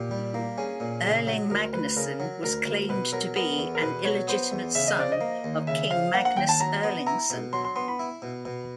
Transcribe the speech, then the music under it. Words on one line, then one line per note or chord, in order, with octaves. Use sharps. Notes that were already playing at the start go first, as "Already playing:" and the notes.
Erling Magnusson was claimed to be an illegitimate son of King Magnus Erlingsson.
Already playing: A#2 G4
G3
A#3
C#4 G#4
A#2
C#3
F#3
D2 A#4
D2 B4
C#3 A#4
F#3
D2 A#4
D2
B2 B4
F#3 A#4
B3 A#4
E2
A#4
B2 B4
F#3 C#5
B3 C5
E2
C#3 E5
D#5
F3 D5
D#5
A#3
D#2
C#3 E5
F3 F5
A#3 F#5
F#5
D#2 G5
A5
F#3 A#5
B3
E4 A#5
B2
F#3 C6
C6
B3 C6
B5
E4
B2
B2